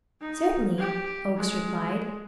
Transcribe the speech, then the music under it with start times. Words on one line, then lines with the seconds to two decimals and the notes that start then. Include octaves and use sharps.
"Certainly," Oakes replied.
0.21 D#4
0.78 G4
1.37 G#3